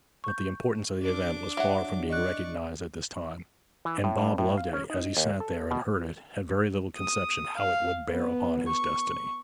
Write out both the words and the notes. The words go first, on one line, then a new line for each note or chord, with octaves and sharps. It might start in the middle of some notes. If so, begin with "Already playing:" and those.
But the importance of the event was far from being recognized at this time; and Bob Loveday, as he sat there and heard it, had very little conception how it would bear upon his destiny.
C#6 G6
D4 D6
F#3 E5 F#5
D5 D#5 C#6 F#6
E3
A2
G2
A2
F5
C#4
D#4
D#2
A4
B2
D#6
F5
B3
C#6